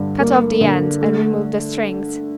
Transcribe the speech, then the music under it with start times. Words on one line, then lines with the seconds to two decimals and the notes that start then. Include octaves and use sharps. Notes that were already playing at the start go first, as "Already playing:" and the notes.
Cut off the ends and remove the strings.
Already playing: G2 D3
0.20 A#3
0.61 D3
1.01 A3